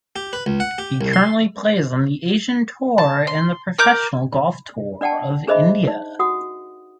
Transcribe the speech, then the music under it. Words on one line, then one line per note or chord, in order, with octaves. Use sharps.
He currently plays on the Asian Tour and the Professional Golf Tour of India.
G4
B4
C#2
F#5
G4
C2
C6
A5
C6
A#4 A#5 D6 G6
D4 D5 F#5 G5 A5
D4 G#4 C5 D#5 E5 B5
D#4
F#4 F#5 D#6